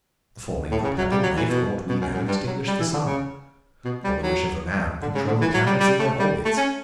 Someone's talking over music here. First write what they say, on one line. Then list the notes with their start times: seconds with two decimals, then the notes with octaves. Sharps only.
The falling of a pebble may, for aught we know, extinguish the sun; or the wish of a man control the planets in their orbits.
0.71 A2
0.84 C#3
0.98 F#3
1.11 G3
1.23 F#3
1.37 E3
1.49 B2
1.89 B2
2.01 F#2
2.14 F#2
2.27 G2
2.47 F#3
2.67 G3
2.80 E3
2.93 D3
3.05 C#3
3.85 B2
4.04 G3
4.23 F#3
5.02 D3
5.15 C#3
5.27 D3
5.41 E3
5.54 F#3
5.66 G3
5.80 G3
5.99 A3
6.19 G3
6.45 A3
6.57 C#4